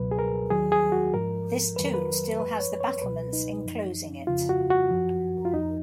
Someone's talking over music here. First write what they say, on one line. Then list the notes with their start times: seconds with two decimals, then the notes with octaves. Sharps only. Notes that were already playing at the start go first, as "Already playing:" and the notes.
This tomb still has the battlements enclosing it.
Already playing: C#2 B2 F#3 B4
0.11 G#4
0.19 A#4
0.51 D#2 D#3 F#3 G#4
0.72 G#4
0.92 F#4
1.14 G#2 F3 A#4
1.76 F2 D#3 F#3 B4
1.85 A#4
1.94 B4
2.39 F#2 F3 B4
2.60 C#5
2.80 C#5
3.02 C#2 B2 F#3 B4
3.33 D#4
3.65 F#2 F3
4.27 F2 C#3 F3 F4
4.49 F#4
4.70 F#4
4.91 F#2 F3
5.45 F4
5.54 F2 F3 D#4